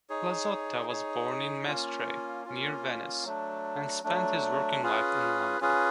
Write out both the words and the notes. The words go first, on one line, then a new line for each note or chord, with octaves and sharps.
Plazzotta was born in Mestre, near Venice, and spent his working life in London.
D#4 G#4 C#5
D#4 G#4 C#5
A#3 C#4 F4
A#3 C#4 F4
F#3 A3 D4
F#3 A3 D4
C#4 F4 G#4 B4
C#4 F4 G#4 B4